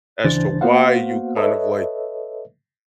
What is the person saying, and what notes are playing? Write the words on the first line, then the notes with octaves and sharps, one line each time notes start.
as to why you kind of like
D2 C#3 E3 D4 C5 A6
A#3 B3 F#4 C5 F5 F#5
A4 B4 C#5 D#5 E5